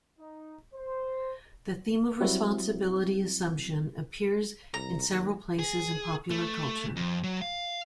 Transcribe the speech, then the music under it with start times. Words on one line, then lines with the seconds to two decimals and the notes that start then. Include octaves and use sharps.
The theme of responsibility assumption appears in several places in popular culture.
0.19 D#4
0.74 C5
2.20 F#3 G3 C4 E4 F#4
4.74 C2 A#5
5.08 D#2
5.59 G#4
6.31 A3
6.96 F2
7.24 F#3
7.42 F5